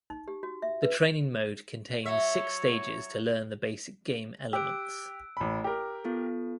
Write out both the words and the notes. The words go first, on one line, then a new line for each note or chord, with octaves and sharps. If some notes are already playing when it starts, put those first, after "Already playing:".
The training mode contains six stages to learn the basic game elements.
D#4
G4
F#4
E5
B4
F#3 C#5 E5
G4 E6 F#6 D7
A1 B5
G4 A#4
B3 F4 A4